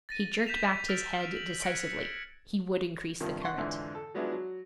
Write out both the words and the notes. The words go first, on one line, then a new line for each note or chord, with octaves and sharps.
He jerked back his head decisively; he would increase the current.
A6 A#6 D#7
G6 B6 E7 F7
E6 F6 A6 A#6 D7 F7
F#7
F#6 G#6 A#6 B6 C#7 D7
B6 C#7
G2 C3 D#3 F3
F#5 C6 C#6
F2 G#2 D3 E3 C4 E4
A4
F3 F#3 G#3 B3 D4 E4
F#3